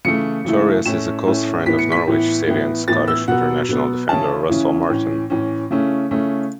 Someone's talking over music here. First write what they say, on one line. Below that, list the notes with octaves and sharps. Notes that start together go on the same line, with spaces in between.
Torres is a close friend of Norwich City and Scottish International defender Russell Martin.
C#3 E3 A3 E4 C#7
C#3 E3 A3 E4
A2 A3 C#4 E4 E7
A2 A3 C#4 E4
A2 E3 B3 E4 B6
C#7
B6
A2 E3 B3 E4
A2 E3 B3 E4
A2 E3 B3 E4 A6
E6
B2 F#3 B3 F#5
B2 F#3 B3
C#3 E3 C#4 E4 A5
C#3 E3 C#4 E4
A2 E3 C#4
A2 E3 C#4
C#3 A3 C#4 E4
C#3 A3 C#4 E4